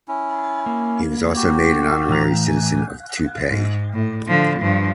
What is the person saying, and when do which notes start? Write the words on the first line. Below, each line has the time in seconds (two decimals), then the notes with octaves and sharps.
He was also made an honorary citizen of Taipei.
0.08 C#4 E4
0.66 A#3
1.36 F#4 G4
2.08 A2 E3 A#5
2.48 G#5
3.49 G#2
3.93 A2
4.27 D3 F3
4.60 G2 F3